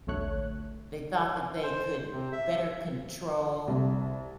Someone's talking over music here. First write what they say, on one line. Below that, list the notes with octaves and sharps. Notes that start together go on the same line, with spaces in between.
They thought that they could better control
A1 D2 A3 C#5 F#6
C5
C3
E5
C2